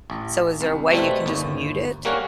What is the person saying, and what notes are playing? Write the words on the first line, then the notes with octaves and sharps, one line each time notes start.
So, is there a way you can just mute it?
A1
C2
B2 G3 A3 C4
G1 D#2
G3 A#3 A#4 C#5 F#5 G#5